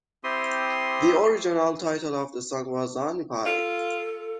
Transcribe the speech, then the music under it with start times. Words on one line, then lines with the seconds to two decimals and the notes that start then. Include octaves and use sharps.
The original title of the song was "Honey Pie".
0.24 C4 E4 G4 C6 D#6
3.46 F4 A4